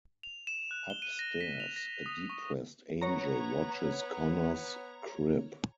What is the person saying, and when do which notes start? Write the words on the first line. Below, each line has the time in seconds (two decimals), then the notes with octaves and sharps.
Upstairs, a depressed Angel watches Connor's crib.
0.23 F7
0.47 E7
0.71 F#6
0.90 G7
1.02 D#7
1.19 A#6
1.41 B6
1.60 F7
1.76 A#6
2.06 D#6
2.30 C#6
3.02 B3 C#5 A#5